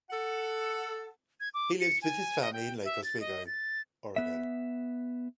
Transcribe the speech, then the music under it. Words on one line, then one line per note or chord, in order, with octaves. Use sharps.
He lives with his family in Lake Oswego, Oregon.
A4 F#5
G#6
D6
C#7
G#5
D#5
G5
E5
A6
D#5
A6
B3 E5